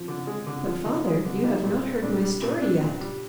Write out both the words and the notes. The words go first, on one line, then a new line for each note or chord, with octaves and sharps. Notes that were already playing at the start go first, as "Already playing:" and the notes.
"But, father, you have not heard my story yet."
Already playing: F3
D3
G#3
D3
F3
D3 D#4
G#3
D3
G3 D#4
A#2
C4
A#2 D4
G3
A#2
C4 D4
A#2
G3